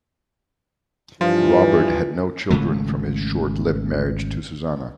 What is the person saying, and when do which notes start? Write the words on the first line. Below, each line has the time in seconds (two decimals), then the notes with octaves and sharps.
Robert had no children from his short-lived marriage to Susanna.
1.21 G2 E3 F3 F4
2.50 G#1 C#3 G#3 A3